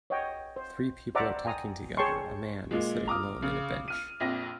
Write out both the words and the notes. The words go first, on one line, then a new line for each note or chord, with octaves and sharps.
Three people are talking together, a man is sitting alone in a bench.
C#5 D#5 F#5 G5
C5
C5 D5 E5 F#5 A#5 D6
G5 G#5 A#5 D#6
G#4 C#5 G5 A5 C6 C#6
A#2 G#3
A#5 D6 D#6 F6
C#3
F6 D#7
A#1 F2 A#6